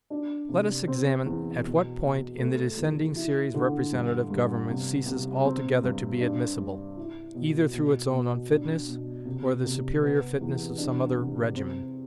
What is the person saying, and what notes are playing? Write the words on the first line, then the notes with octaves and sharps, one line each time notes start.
Let us examine at what point in the descending series representative government ceases altogether to be admissible, either through its own unfitness or the superior fitness of some other regimen.
D4
C3
C4
E2
B2
B2
A3
E2
E4
D3
G2
G2
C3
C3
C4
G2
D4
G2
E4
B2
B2
B2
D4
B2
C3
C3
B3
E2
D4
C3
C4